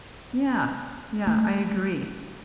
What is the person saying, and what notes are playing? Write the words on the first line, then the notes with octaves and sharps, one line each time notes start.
Yeah. Yeah, I agree.
A3